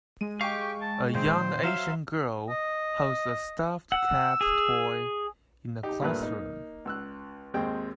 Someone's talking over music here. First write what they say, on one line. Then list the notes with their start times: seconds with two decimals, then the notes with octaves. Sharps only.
A young Asian girl holds a stuffed cat toy in a classroom.
0.21 G#3 D#7
0.41 G4 F5 G5 C#6
0.82 A5
1.15 A#2 D#3 C4 C5
1.63 F#3 C5 E5 F5 E7
2.50 D#5
3.92 F#5 E6
4.41 G#4
5.83 D#4 G4
6.02 G2 A#2 A3 A#4 B4 F#6
6.22 A#3 D#4
6.85 C#2 E6 F#6
7.54 G#1 D#2 G#3 C4 G5